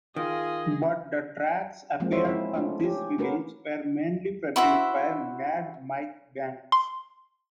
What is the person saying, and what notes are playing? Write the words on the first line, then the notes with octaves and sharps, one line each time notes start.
But the tracks appeared on this release were mainly produced by "Mad" Mike Banks.
D#3 F4 G#4 D#5
F3 F#3 G#3 A#3 C4
D#4 E4 F#4 C5 C#5 E5
C#4 E4 E5
A3 D4 F4
C#4 G4
A3 A#3 C#4 F#4 A#4 B4
E4 F#4 C5 E5
C6